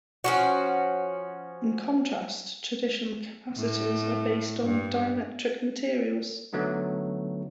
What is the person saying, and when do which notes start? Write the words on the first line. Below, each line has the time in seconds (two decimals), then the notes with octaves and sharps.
In contrast, traditional capacitors are based on dielectric materials.
0.24 F3 C#4 F#4
3.57 A2
4.65 G2
6.53 D3 F#3 A3 B3 D#4